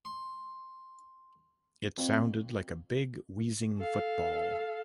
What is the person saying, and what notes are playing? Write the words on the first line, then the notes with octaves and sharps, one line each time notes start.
It sounded like a big wheezing football.
C6
F2
A4 F5